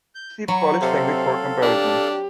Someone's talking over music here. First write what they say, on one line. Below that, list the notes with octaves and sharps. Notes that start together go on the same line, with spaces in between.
See Polish language for comparison.
G6
F#3 B5 C#6
C3 C4 A4 F5
D4 G4